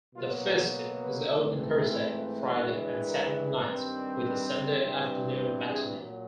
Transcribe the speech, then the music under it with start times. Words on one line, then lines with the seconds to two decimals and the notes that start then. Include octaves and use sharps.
The Fiske is open Thursday, Friday, and Saturday nights, with a Sunday-afternoon matinee.
0.15 B2 F#3 A#3 F4
0.46 G#4
1.03 B4
1.32 G#2 E3 A3 C4 A4
1.91 E4
2.19 F4
2.48 G2 E3 G#3 F#4
3.06 A#4
3.65 G2 D#3 G3 C4 B4
4.23 B4
4.82 G2 E3 G3 C4 C5
5.39 B4
5.69 G#4
5.98 A#2 F#3